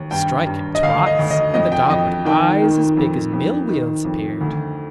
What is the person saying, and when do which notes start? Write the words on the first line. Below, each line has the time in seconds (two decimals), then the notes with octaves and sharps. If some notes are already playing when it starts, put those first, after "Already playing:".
Strike it twice and the dog with eyes as big as mill-wheels appeared.
Already playing: D#2
0.11 G2 G5
0.47 G2
0.75 D#5
0.83 D2 F5
1.06 D#5
1.19 D2
1.31 D#5
1.54 F2 D#5
1.72 G5
1.90 F2 D#5
2.25 D#3 G5
2.62 D#3
2.97 F2
3.33 F2
3.69 D#3
4.05 F2
4.41 D2